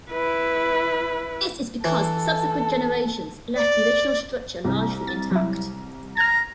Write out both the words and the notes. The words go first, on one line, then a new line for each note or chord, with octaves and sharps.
This is because subsequent generations left the original structure largely intact.
E4 B4
E3 A4
D5
C2
A6
F#3 E4
A#5 F6 G#6